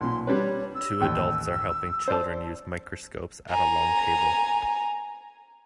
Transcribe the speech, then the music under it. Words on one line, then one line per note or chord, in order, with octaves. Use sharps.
Two adults are helping children use microscopes at a long table.
B1 A#2 C6
G3 D4 B4 C#5
E6
A1 D#2 G5
C5 D5 A5
G#5 A#5